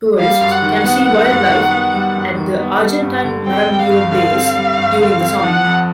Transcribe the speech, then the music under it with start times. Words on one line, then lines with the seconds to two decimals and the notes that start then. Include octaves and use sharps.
Tourists can see wildlife at the Argentine Marambio Base during the summer.
0.19 G3 F5
0.41 F#2
0.52 F#5
0.62 D#3
0.84 B3
1.06 G3
1.28 F#2
1.50 D#3
1.71 B3
1.93 G3
2.16 F#2
2.37 D#3
2.59 B3
2.81 G3
3.02 G2
3.24 D3
3.46 C4 G5
3.69 G3
3.79 F5
3.90 G2
4.11 D3 F5
4.33 C4
4.55 G3
4.77 G2
4.99 D3
5.20 C4
5.43 F3 F#5
5.65 F2